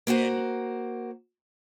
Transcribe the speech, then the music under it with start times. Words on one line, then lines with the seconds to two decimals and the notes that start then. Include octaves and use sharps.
And y
0.07 A#3 F#4 C5 F#5